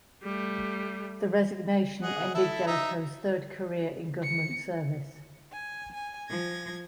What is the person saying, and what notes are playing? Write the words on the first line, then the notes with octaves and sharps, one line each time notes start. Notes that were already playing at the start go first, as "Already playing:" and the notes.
The resignation ended Jellicoe's third career in government service.
G3 A3
G#4 D#5 F#5
E4 A4 E5
D#4 E5 A#5
C#7
G#5
G#5
F3 G#6 A#6